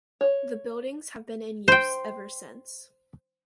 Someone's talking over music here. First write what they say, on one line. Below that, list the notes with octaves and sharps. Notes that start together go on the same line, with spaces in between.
The buildings have been in use ever since.
C#5
C5 G5